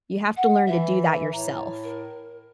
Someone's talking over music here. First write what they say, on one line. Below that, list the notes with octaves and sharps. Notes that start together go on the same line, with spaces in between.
you have to learn to do that yourself
F#5
E3 E5
A2 A#5
A#4